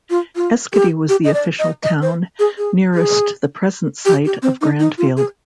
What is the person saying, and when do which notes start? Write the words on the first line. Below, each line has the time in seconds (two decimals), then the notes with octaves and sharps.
Eschiti was the official town nearest the present site of Grandfield.
0.10 F4
0.36 F4
0.73 G4
1.09 G4
1.24 D#5
1.34 D5
1.59 D#5
1.83 D#5
2.02 C5
2.39 G#4
2.58 G#4
2.94 G#4
4.05 G4
4.25 G4
4.42 C4
4.61 D#4
4.80 D#4
4.98 F4
5.17 G#4